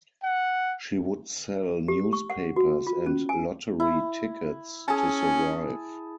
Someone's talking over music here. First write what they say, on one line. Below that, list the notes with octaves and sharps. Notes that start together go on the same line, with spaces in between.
She would sell newspapers and lottery tickets to survive.
F#5
G4
C#6
F#5
F#4
F4
C#4
G#5
E4
C#4 G#4 A5